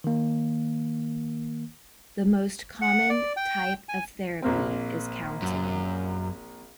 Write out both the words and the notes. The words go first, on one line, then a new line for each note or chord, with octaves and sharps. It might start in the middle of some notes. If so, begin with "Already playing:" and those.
The most common type of therapy is counseling.
D#3 A#3
F#5
D5
G5
G#5
A#1 A#3 C4
F#2